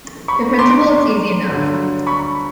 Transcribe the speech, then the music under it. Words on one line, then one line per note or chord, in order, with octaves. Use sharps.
The principle is easy enough.
B5 C#6
C6 D6
G2 D3 F#3
B5 C#6